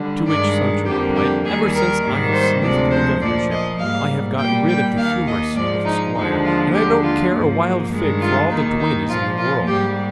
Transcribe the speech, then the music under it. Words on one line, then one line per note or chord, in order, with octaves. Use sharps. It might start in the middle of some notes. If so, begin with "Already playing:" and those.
To which Sancho replied, "Ever since I have sniffed the governorship I have got rid of the humours of a squire, and I don't care a wild fig for all the duennas in the world."
Already playing: D3 G3
G2 D#3 G#3 D5
F2 D3 G3 A#3 G4
G4
D#2 D#3 G3 G#4
A#4
G#2 D#3 G3 A#3
C5
D2 C3 F3 G#3 D5
C5
A#2 F3 A#3 D5
D#5
G#2 G3 A#3 F5
A#2 G3 A#3 G5
G5
D#2 D#3 A#3 F5
D#5
G#2 F3 G#3 D5
D#4
D#2 D3 F3 G#3 D#4
F4
D#2 D3 G#3 G4
F4
G#2 F3 A#3
G2 D#3 G#3
F4
D#2 D#3 A#3 D#4
D#4
A#2 F3 A#3 F4
F4
G#2 G3 A#3 G4